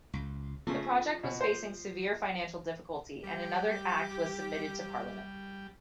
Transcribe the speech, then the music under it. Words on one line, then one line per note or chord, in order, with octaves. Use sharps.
The project was facing severe financial difficulty and another Act was submitted to Parliament.
C#2
C#3 F3 A3
B2
C5
G3 G4